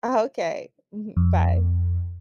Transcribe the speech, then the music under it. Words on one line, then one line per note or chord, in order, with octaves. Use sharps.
Okay, mhm, bye.
F2